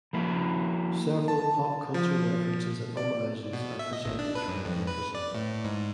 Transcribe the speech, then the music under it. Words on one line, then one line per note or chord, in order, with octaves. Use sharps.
Several pop culture references and homages are presented throughout the episode.
F3 A#3 E4 F#4
A5
F3
D5
B2
E5
D#5
G#1
D4
B4
F#2
F2
B4
D5
A2
G#2